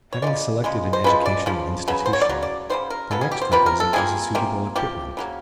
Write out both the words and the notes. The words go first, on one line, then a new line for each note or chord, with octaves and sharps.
Having selected an educational institution, the next requisite is a suitable equipment.
C#5
C#3 F3 G#3 D5
C#3 F3 G#3
C5
C#3 F3 G#3 B4
D5
C#3 F3
C#3 F#3 B3
C5
C#5
D5
C#3 F#3
D5
C#3 F#3 B3 C5
A#4
C#3 F#3 B3 A4
G#4
G4
C5
C3 F3 A#3 B4
A#4
A4
C3 F3 A#3 G#4
C3 F3 A#3
C3 F3 A#3 G4
C#3 F#3 A#3